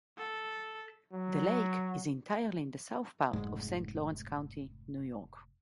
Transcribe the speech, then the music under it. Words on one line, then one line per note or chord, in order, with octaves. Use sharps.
The lake is entirely in the south part of Saint Lawrence County, New York.
A4
F#3
F1 G#2 G#3